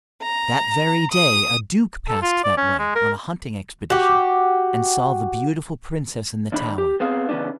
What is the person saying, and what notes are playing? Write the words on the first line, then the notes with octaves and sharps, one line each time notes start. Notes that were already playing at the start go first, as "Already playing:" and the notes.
That very day a duke passed that way on a hunting expedition and saw the beautiful princess in the tower.
A#5
D#6
A4
F4
D5
C#4
G#3
A#4
F#4 G4
D#2 D4 B5
G4
B3 C4 G#4 F5
C#3 E3 B3 C#4 D4